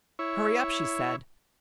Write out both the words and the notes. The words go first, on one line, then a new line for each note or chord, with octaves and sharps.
"Hurry up," she said.
E4 C#5